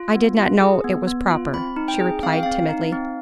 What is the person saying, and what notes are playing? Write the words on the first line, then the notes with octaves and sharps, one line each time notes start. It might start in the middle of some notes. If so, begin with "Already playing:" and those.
"I did not know it was proper:" she replied, timidly.
Already playing: F4
B3
F4
G#4
B3
B3
F4
C4 B5
D#4
G5
G#4
C4 F5
G5
C4 F5
D#4
C4